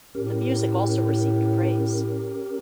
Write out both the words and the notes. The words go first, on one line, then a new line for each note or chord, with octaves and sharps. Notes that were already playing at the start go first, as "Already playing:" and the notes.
The music also received praise.
A2 C#4 G4 A#4